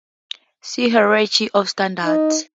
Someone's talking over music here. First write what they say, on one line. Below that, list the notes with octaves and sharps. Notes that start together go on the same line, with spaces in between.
See Hierarchy of Standards.
D#4